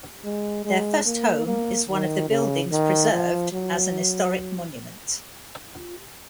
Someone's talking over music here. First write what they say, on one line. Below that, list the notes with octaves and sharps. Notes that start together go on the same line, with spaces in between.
Their first home is one of the buildings preserved as an historic monument.
G#3
G#3
A#3
A#3
D#3
C#3
D#3
F3
F#3